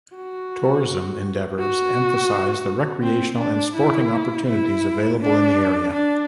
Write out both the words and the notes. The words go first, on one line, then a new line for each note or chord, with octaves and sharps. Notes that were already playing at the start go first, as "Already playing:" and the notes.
Tourism endeavours emphasise the recreational and sporting opportunities available in the area.
F#4
F#4
C4
D4
E4
E4
D4
D4